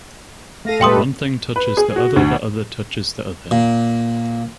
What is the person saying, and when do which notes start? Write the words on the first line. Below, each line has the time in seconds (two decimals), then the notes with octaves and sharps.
That one thing touches the other the other touches the other.
0.65 A3 A4 F5 A#6 D#7
0.81 A#2 G#3 G4 A4 B4 G5 C6 D#6
1.56 B4
1.77 G#4
1.96 F#4
2.16 D2
3.51 A#2